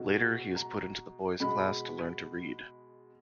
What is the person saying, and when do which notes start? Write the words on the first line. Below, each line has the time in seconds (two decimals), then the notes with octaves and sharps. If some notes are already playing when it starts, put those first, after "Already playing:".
Later, he is put into the boys' class to learn to read.
Already playing: B2 G#3
0.56 A#5
1.40 B2 G#3 B5